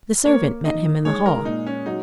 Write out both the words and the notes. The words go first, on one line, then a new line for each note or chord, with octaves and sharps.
The servant met him in the hall.
A#3 C#5
D#4 D#5
G#3 C#5
A#4
A#2 D#4
C#4
F#3 D#4